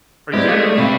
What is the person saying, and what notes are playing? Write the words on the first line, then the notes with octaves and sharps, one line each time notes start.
Are you serious?
G3 G#3 B3 C4 E4 G4 D#5 G#6
A3 D5 F5 D#6 G#6
C3 C4 D4 B4 D5 E5 F5